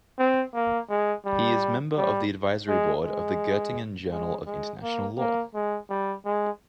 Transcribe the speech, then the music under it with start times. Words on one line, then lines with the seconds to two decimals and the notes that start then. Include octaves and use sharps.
He is member of the advisory board of the Goettingen Journal of International Law.
0.19 C4
0.54 A#3
0.89 G#3
1.25 G3
1.97 G3
2.68 G#3
3.03 G#3
4.11 G#3
4.46 G#3
4.82 A#3
5.18 A#3
5.54 G#3
5.90 G3
6.25 G#3